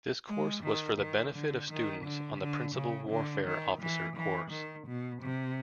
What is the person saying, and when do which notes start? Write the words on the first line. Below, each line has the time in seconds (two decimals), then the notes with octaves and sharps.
This course was for the benefit of students on the Principal Warfare Officer course.
0.29 G#3
0.64 D#3
0.99 D#3
1.35 D3
1.70 D#3
2.05 D3
2.40 D3
2.75 C#3
3.10 D3
3.46 D#3
3.81 E3
4.17 E3
4.51 D#3
4.87 B2
5.22 C3